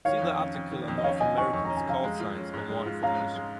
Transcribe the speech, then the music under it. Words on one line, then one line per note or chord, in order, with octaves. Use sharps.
See the article on North American call signs for more information.
D#3 C#5 F5
F2
C#4
F2
D#3
F2
D#5
C#4 C#5 F5
F2 D#5 G#5
D#3 G#5 C#6
F2 C#6
C#4 A#5
G#5
F2 F5 A#5
G#3
F4
C#4
G#2
G#3
F4
C#4 F5 A#5
G#2
G#3